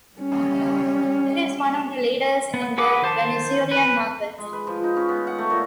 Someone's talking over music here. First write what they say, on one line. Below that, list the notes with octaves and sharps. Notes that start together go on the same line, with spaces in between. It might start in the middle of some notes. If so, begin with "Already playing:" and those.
It is one of the leaders in the Venezuelan market.
G3 C#4
B3
G#4 B4 F#5 D6
D#3 C5 A5
B4
G#3
B4
F3
D#4
C#4
B3
F#5
A3
A#2